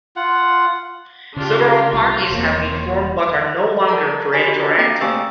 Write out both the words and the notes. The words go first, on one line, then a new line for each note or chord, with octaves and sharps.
Several parties have been formed but are no longer current or active.
F4 F#5
C#3 D4 F4 G4
C2 F4
E1 E2 A#3 C4 C#5
A#4 D5 A5 A#5
D4 G4 C#5 G#5 B5 B6
D4 F4 F#4 D#5
A#3 C4 G5 A#5 A6
A3 C4 G#5 C#6 E6